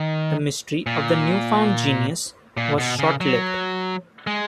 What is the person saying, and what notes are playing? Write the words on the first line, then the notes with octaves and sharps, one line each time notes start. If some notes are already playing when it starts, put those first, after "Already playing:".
The mystery of the newfound genius was short-lived.
Already playing: D#3
A#2
A#2
B2
C#3
F#3
G#3